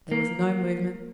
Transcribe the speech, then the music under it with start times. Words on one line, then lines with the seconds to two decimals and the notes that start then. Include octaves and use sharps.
There was no movement.
0.12 A#3